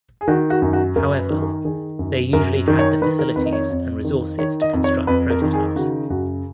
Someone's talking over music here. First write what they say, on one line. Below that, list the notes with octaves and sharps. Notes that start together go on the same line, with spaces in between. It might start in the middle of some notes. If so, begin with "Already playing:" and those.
However they usually had the facilities and resources to construct prototypes.
G#4
D#3 F#4
F#4
F#2
F#4
F#2 A#4
B4
D#3
A#4
D#3 G#4
F#2
F#2 A#4
D#3
C#5
D#3 B4
A#4
F2 B4
D#5
C#5
F2
D#3
D#3 C#5
D#5
F2
C#5
F2 B4
A#4
D#3
G#4
C#3 F#4
F#2 F#4